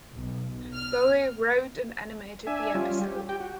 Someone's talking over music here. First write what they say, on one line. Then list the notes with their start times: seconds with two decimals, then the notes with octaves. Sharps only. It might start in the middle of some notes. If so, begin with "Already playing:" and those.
Boe wrote and animated the episode.
0.12 B1
0.74 F6
2.47 D4 E5 G#5
2.74 G3 C#4 F4
3.01 G4
3.29 G4 G5
3.40 F#4